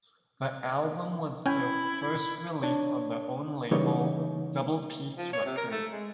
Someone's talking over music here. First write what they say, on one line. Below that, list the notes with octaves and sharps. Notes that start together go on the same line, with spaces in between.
The album was the first release on their own label Double Peace Records.
C#4 E4 G5 G#5
D4 C#5
C#3 E3 G3 A#3 D#4 C#5
F3
C#5
C3
A#4
A3
G#3